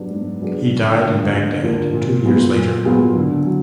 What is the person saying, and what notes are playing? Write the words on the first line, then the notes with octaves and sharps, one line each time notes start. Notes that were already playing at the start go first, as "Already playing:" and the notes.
He died in Baghdad two years later.
Already playing: F#3 D4 G#4 B4
G#2
F#3 D4 G#4 B4
D2
D3 F3 A#3
D2
D3 F3 A#3
A#2
F#3 B3 F4 G#4
A#2
F#3 B3 F4 G#4
D3
F#3